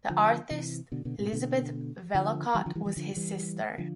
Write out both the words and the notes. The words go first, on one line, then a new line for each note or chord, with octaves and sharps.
The artist Elisabeth Vellacott was his sister.
D3 F3
C3 E3
B2 D3
B2 D3
A2 C3
B2 D3
D3 F3
E3 G3
D3 F3
E3 G3
E3 G3
D3 F3
E3 G3
D3 F3